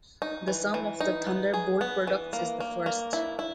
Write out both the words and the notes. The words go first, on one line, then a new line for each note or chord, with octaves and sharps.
The sum of the thunderbolt products is the first.
D#4
E3
E3
D#4
B3
G#4
B3
E3
A#3
A#3
A#3
E4
E4